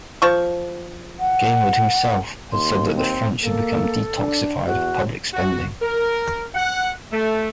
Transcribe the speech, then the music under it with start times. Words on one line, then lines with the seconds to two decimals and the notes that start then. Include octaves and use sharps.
Gaymard himself had said that the French should become "detoxified" of public spending.
0.22 F3 C#6
1.20 F#5
2.52 D#2 C6
2.95 C4
3.42 A#3 A4
4.19 D4
4.66 E2 F#4
5.33 F#4
5.82 A#4
6.54 F#5
7.12 A3